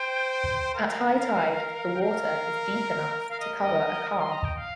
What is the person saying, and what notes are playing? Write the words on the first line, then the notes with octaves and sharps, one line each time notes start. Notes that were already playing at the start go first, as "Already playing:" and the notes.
At high tide, the water is deep enough to cover a car.
Already playing: C5 G5
G5
A#4 F5
G5
A#4 F5
A#4 F5
D#5
D#5
A#4
D#6
D#5 C6
A#5
G5
F5